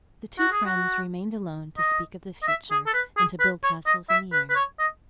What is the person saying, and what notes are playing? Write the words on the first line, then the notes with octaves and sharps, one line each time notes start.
The two friends remained alone to speak of the future and to build castles in the air.
F#4
G#4
F#4
D#5
D#5
E5
G#4
A4
B4
G#4
B4
C#5
D#5
E5
B4
B4
C#5
D#5